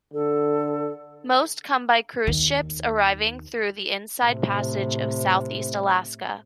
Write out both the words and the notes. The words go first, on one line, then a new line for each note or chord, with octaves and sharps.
Most come by cruise ships arriving through the Inside Passage of Southeast Alaska.
D3 A4
D#2 D#3
A2 C3